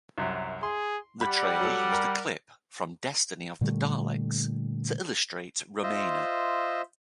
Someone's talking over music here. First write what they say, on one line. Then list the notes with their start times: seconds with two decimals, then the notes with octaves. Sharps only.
The trailer used a clip from "Destiny of the Daleks" to illustrate Romana.
0.18 C2 F#2
0.63 G#4 C6
1.21 G3 F#5 B5
1.60 F#3 A4
1.92 A#4
3.61 A#2 D3 G3 A3
5.83 F4 C5 D#5 E5